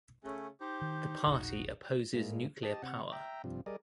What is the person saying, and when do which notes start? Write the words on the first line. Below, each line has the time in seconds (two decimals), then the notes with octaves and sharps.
The party opposes nuclear power.
0.24 C#3 A3 C#4
0.61 D#4 G4 C5
0.81 D#3
1.26 E1 A#1 F#4
2.14 A2 G#3 A#3
2.63 G4 D#5 A5
2.82 C3 F#5
3.13 E5 G5 A#5
3.44 G2 C3 F3
3.66 G3 G#4 A#4 D5 D#5